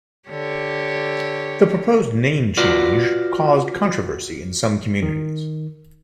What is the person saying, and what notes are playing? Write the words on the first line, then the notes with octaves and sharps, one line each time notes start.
The proposed name change caused controversy in some communities.
D3 G4 C#5
F4 F#4 B4 D5
D#3